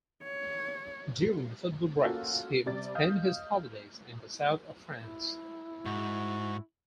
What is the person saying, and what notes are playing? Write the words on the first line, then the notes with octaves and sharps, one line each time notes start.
During the football breaks he would spend his holidays in the south of France.
C#5
A#3 C#4 F4 F#4 A4
C3 G3 D5 A6
D#5 F5 D#6 F6 G6
E4
G#2 F#4